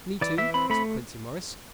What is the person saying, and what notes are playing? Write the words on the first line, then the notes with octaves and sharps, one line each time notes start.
"Me too?" said Quincey Morris.
E3 D5
E3 E5
C4 B5
A3 B5